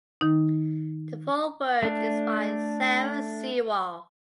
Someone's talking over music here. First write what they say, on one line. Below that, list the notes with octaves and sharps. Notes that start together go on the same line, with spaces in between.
The foreword is by Sarah Sewall.
D#3 D#4
A3 D4